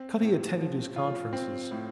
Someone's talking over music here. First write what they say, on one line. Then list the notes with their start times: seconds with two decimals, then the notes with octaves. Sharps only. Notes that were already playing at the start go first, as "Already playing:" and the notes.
Cutty attended his conferences.
Already playing: C4
0.21 A2
0.59 F3
0.96 F4
1.33 C4
1.71 A2